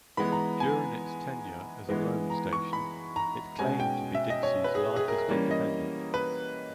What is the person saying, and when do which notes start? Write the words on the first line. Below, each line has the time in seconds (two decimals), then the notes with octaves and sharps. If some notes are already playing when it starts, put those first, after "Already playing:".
During its tenure as a Rome station, it claimed to be Dixie's Largest Independent.
0.17 E3 G#3 B3 B5
0.32 A#5
0.60 G#5
1.89 E3 G#3 B3
2.30 A#5
2.53 C#6
2.73 B5
3.16 A#5
3.59 B2 G#3 C#4 G#5
3.80 G5
4.15 E5
4.30 D#5
4.43 C#5
4.64 B4
4.75 G#4
4.96 G#4
5.08 A#4
5.18 A#4
5.28 E3 G3 A#3 C#4 A#4
5.51 D#5
6.14 B4